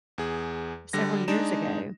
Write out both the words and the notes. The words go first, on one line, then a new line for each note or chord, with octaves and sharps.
several years ago,
E2 G#4
D3 G3 A#6
G#3 D4 D#4 E7